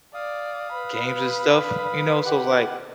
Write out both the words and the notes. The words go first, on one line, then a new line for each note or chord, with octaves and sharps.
games and stuff, you know, so, it was like,
D5 F5 D#6
B4 B5
G4 F#5